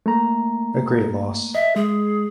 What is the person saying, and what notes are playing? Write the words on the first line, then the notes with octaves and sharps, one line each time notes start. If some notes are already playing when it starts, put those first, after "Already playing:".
A great loss.
A3 A#3 A#5
D#5 E5
G#3 G#4